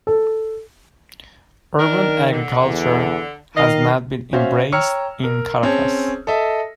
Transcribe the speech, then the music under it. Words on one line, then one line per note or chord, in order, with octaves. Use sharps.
Urban agriculture has not been embraced in Caracas.
A4
D#3 D4 A#4
D3
E2
D#3 D#5 F5
C#4 F#4 C5 E5 F5
C#5 G5 A#5 E6 F6 C#7
A#4
C4 C#4 G#4 C#5 A5
A4 D#5 E5